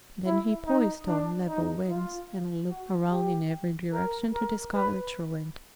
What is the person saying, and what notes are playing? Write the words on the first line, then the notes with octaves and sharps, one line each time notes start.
Then he poised on level wings and looked around in every direction to discover the truant.
E4
D#4
D4
D#4
F4
F#4
G4
A#4
A#4
B4